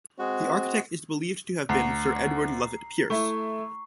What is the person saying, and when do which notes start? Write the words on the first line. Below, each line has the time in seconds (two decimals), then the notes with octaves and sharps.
The architect is believed to have been Sir Edward Lovett Pearce.
0.19 G#3 C4 F#4
1.69 D2 A#5 C7
3.10 A3 E4 C#6